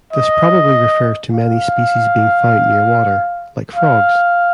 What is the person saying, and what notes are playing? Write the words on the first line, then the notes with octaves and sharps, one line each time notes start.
This probably refers to many species being found near water, like frogs.
D#5
F5
F5